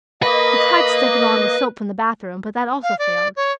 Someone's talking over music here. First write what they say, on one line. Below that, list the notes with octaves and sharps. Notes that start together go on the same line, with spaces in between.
He tried to stick it on with soap from the bathroom, but that also failed.
A#3 B4 D#5
F5
D5
C#5